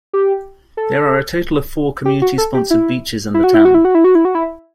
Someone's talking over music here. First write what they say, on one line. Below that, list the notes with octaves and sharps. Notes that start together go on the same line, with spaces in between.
There are a total of four community-sponsored beaches in the town.
G4
A4
G4
F#4
A4
G4
E4
E4
F#4
E4
F#4
E4
F#4
E4
F#4
E4
F#4
E4